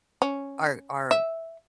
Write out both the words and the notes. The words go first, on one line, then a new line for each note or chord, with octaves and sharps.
our our
C#4
E5